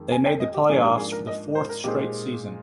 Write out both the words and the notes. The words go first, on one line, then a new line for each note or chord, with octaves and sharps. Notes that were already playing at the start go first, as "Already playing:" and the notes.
They made the playoffs for the fourth straight season.
Already playing: F2 D#3 G#3
G#5
G5
D#5
G4
G#2 F3 A#3 D4 G#4
G4
G#4
A#4
D#5
C5
A#4
A#2 G#3 D#4 G4 G#4 C5